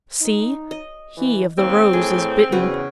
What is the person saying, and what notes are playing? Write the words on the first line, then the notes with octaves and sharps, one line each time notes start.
See! he of the rose is bitten.
D#4
D#5
E3
D#2 C4
A2 G#4
E2 C#3 F#4 B4